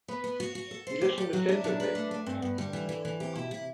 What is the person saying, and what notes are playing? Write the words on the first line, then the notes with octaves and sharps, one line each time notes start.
He listened attentively.
B3 B4
B3
F#4
F#4
A4
C5
G4 A4
G4 A4
F#3 F#4
D4 E4
F#3 D4
B4
A3
A3
G2 C4
G2 B3
D3 G3
E3
E3
E3
C3 G4
B2 E4
C3 E4